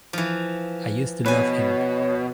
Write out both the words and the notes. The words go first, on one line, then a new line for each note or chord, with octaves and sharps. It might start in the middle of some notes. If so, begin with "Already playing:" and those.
I used to love him.
E3 F3
B2 B4 C#5 G#5